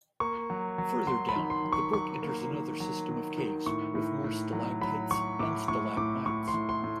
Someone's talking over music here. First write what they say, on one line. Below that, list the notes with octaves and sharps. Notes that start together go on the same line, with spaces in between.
Further down, the brook enters another system of caves with more stalactites and stalagmites.
A#3 C#6
F#3
F#3
F#3 C6
B5
D#3
C6
F#3
C#6
F#3 C#6
A#3
D#3
F#3
D#3
D#3
A2 C#6
A2
A2
F#3
F#3 B5
F#3 C#6
A2 D6
A2 C#6
A2 D6
A2 C#6
C6
A2
C6
A2